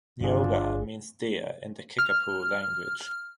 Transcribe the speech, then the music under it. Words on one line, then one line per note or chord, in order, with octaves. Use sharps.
"Neoga" means "deer" in the Kickapoo language.
G1 D4 F4 G#4
F6